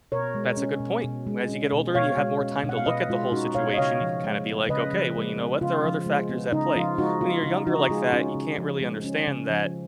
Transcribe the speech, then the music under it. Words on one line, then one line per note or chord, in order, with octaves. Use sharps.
That's a good point. Whe as you get older and you have more time to look at the whole situation, you can kinda be, like, "Okay. Well, you know what? There are other factors at play." When you're younger like that, you can't really understand that
B2 A#4 C#5
G#3
C#4
B2
B2
G#3
C#4
B2
B2 C#5 F5
G#3
C#4
B2
F#5
F5
B2 B4 D#5
G#3 F4
C#4 D#4 F#4
B2 C#5 F5
D#5
C#3 C#5 F5
F3
G#3
B3
C#3 B4 D#5
F3
G#3
B3
C#3 F4
F3
G#3
B3
C#3 D#4
F3 F4
G#3 D#4 F#4
B3 F4
C#3 D#4
F3 D#4 F#4
G#3 F4 G#4
C#4 D#4 F#4
C#3
F3
G#3
C#4
C#3
F3